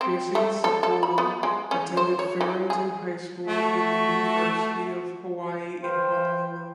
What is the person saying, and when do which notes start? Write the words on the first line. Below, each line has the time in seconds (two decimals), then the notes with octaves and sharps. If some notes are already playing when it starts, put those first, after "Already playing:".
Jesse Sapolu attended Farrington High School and the University of Hawaii in Honolulu.
0.01 C4
0.35 A3
0.64 A4
0.83 A4
1.03 B5
1.18 B3
1.43 G#3
1.71 C#4
1.97 C5
2.19 C#5
2.41 E3
2.70 G#4
3.47 A3 F#4 E5
5.83 B4 C5 F5 G5